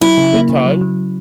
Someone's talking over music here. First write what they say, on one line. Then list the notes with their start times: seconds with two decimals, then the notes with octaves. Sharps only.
a good time,
0.01 F#3 E4
0.18 C#3
0.34 A#3
0.49 C#3
0.66 F#3
0.81 F#3